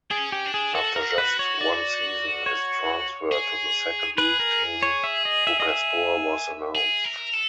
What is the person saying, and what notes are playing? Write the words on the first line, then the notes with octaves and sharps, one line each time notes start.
After just one season, his transfer to the second league team Bucaspor was announced.
D4 G#4
C#4
G4
D4
G#4
F#4 A4
A#4
B4
C#5
D5
C#5
G#4
G#4 B4
A#4
C#5
E5
D#5
E5
D#5
E5
G#4
A#4
A4